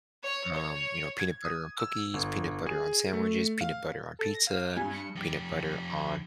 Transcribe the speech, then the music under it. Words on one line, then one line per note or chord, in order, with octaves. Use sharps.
Um, you know, peanut butter on cookies, peanut butter on sandwiches, peanut butter on pizza, peanut butter on
C#5
C#5
G#6
D#6
E6
G1
G#4
A3
F5
A4
A#6
F5
G2 G3 G#5
C#7
F2 G4